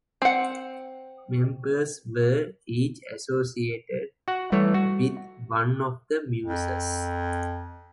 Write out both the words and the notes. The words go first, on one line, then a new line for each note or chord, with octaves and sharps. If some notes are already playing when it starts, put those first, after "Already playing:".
Members were each associated with one of the Muses.
C4 F#5
F#4 F#5
E3 G3 A3 C#5
F#4
F2